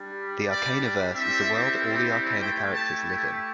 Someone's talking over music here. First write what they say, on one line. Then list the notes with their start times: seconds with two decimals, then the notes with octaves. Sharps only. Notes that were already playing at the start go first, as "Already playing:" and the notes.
The Arcanaverse is the world all the Arcana characters live in.
Already playing: G3 D4 G4
0.52 D5
1.14 G3 C4 E4 G4 E5
2.41 A3 E4 G4 G5
2.73 A5